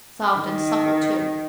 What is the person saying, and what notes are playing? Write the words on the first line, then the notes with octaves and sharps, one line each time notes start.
Soft and supple too.
D#3